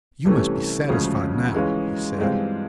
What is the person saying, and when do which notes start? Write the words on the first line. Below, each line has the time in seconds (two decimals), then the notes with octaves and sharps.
"You must be satisfied now," he said.
0.25 C2 C3 E3 A3 C#4
0.89 D2 C#3 F3 G#3 C#4
1.54 G#2 E3 G#3 C#4 F4
2.18 G2 E3 G#3 C4 F4